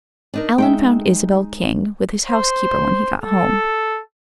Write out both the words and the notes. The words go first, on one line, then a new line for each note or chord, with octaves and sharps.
Alan found Isabel King with his housekeeper when he got home.
D4 D#4 A#4
G#3 D#4 E5 F5 G5
C5
A4